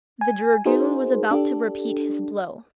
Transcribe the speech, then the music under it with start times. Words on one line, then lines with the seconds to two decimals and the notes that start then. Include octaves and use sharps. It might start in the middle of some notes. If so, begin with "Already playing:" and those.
The dragoon was about to repeat his blow.
0.21 G#5
0.65 D#4 F#4 G#4 A#4 C5
1.31 D4 G4 A4